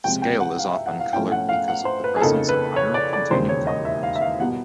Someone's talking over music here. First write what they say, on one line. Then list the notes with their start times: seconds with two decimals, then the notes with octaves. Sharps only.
Scale is often coloured because of the presence of iron-containing compounds.
0.04 C#2 C3 F3 G#3 C4 G5
0.22 G5
0.40 F#5
0.59 F5
0.71 E5
0.86 F#5
1.00 F5
1.13 A2 F3 A3 C#4 E4 G5
1.32 F#5
1.49 F5
1.68 F#5
1.85 C5
2.04 B4
2.16 G#4
2.21 F2 C#3 F3 A#3 D#4 A4
2.49 B4
2.76 C#5
2.94 D5
3.13 D5
3.30 E1 D#2 C#3 C5
3.49 C#5
3.67 D#5
3.85 E5
4.03 F5
4.16 E5
4.21 F5
4.40 B2 G3 B3 F#5